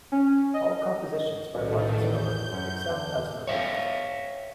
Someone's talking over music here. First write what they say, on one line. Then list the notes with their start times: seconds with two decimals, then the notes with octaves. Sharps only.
All compositions by Marcus Miller, except as noted.
0.12 C#4
0.54 D#5
1.55 B1 A2 D#3 A3 C#4
1.99 A1 E2 G6
2.52 F#2 C#4
2.89 E2 D3
3.47 C#5 E5 F5